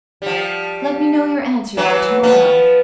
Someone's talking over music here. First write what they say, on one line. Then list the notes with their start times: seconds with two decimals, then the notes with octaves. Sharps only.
Let me know your answer by to- morrow.
0.22 F3 G3
1.77 E3 F#3 B4
2.23 F3 B3 B4